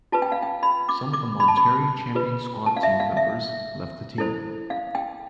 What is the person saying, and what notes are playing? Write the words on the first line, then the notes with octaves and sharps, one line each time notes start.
Some of the Monterrey champion squad team members left the team.
F4 B4 A5
G5
F5
G5
B5
D6
D6
B5
A5
B5
F4 B4
A5
F5
E5
F5
E5
E4 A4 C5
F5
G5